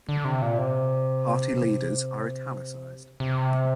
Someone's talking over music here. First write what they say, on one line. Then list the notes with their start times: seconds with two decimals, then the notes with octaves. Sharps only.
Party leaders are italicized.
0.09 D3
0.25 C3
0.42 A#2
0.58 C3
3.20 C3